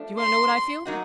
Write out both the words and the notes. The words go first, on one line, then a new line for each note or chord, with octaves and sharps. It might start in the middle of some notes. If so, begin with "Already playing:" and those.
Do you want to know what I feel?
Already playing: F3 A3 D4
C6
F#3 A#3 D#4 F#4